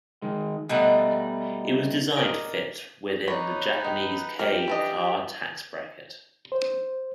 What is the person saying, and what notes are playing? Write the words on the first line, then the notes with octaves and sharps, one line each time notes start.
It was designed to fit within the Japanese kei car tax bracket.
D#3 G#3
B2 G3 A3 D#4 F#5
A#4 D5 D#5
D#4 B4 C#5 D5
D#3
G4 A#4
E3 D4 D#5
C5